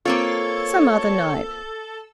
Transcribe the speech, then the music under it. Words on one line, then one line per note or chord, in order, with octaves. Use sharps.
"Some other night."
A#3 C4 F4 A4 C#5